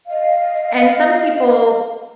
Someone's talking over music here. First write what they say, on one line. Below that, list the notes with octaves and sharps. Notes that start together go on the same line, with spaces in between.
And some people
D#5 F5